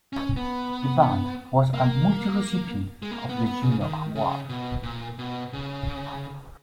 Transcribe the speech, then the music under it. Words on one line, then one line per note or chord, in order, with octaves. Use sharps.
The band was a multi-recipient of the Juno Award.
C#4
B3
A#3
G#3
A#3
B3
B3
C#3
D#3
C#3
B2
A#2
B2
C#3